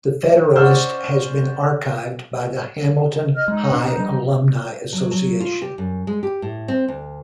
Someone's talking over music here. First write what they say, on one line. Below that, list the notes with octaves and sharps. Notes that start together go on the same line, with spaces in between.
The Federalist has been archived by the Hamilton High Alumni Association.
C#4 C5 D5 F#5 E6 F6
D#5 F6
G#3 D#4
B2 B3 D4
F3 G3
F#3
F#3
F4
G4
F#2
G#3
G4
A2
C4
D2